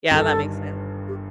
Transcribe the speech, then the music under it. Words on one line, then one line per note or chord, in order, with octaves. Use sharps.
Yeah, that makes sense.
G1 G2 D#3 G3 A4
G4